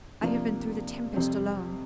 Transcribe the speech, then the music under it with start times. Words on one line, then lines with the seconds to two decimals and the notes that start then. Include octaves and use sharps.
I have been through the tempest alone.
0.21 C3 F3 A#3 D4
1.14 F2 C3 G3 C4